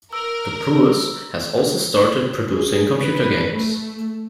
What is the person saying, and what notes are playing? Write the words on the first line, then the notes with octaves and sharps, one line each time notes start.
Dupuis has also started producing computer games.
A#4 E6
G#4
B4
A3